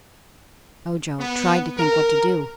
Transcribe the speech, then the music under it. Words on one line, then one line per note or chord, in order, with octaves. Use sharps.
Ojo tried to think what to do.
B3
A#4